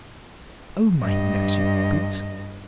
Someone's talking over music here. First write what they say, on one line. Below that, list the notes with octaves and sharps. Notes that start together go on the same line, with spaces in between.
O my noisy boots!
G2 D#5